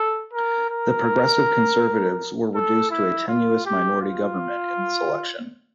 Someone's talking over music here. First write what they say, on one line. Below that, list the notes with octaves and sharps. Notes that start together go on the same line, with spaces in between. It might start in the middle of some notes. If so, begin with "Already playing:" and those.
The Progressive Conservatives were reduced to a tenuous minority government in this election.
Already playing: A4
A#4
A#4
A4
E4
F4
G4
F4